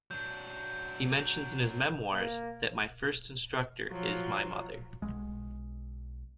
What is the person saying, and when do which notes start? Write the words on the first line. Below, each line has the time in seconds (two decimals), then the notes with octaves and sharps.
He mentions in his memoirs that "my first instructor is my mother".
0.11 F#3 D4 G6
2.12 A#3
3.91 F3 F#3
5.02 B1 G#3